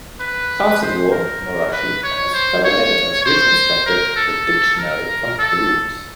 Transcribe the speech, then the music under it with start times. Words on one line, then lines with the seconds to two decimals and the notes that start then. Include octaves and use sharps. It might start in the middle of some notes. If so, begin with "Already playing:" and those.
After the war, Morohashi and his fellow editors reconstructed the dictionary from proofs.
0.20 B4
0.82 C5
1.12 A#4
1.73 B4
2.04 C#5
2.34 C5
2.65 C#5
3.25 C5
3.86 A#4
4.16 A4
4.78 A#4
5.39 A4